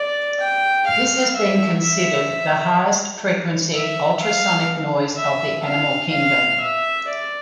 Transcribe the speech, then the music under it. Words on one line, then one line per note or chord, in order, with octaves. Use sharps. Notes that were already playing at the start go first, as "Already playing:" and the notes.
This has been considered the highest frequency ultrasonic noise of the animal kingdom.
Already playing: D5
G5
F5
E5
E5
E5
F5
E5
F5
F5
E5
D5